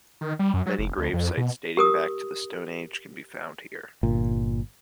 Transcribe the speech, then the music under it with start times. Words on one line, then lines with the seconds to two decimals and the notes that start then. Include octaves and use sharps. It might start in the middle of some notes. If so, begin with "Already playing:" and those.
Many grave sites dating back to the Stone Age can be found here.
0.21 D#3
0.39 G3
0.54 F#2
0.66 F#3
0.78 F1
0.98 D2
1.13 F2
1.37 B2
1.77 G4 A#4 D#6
4.03 G1 A#2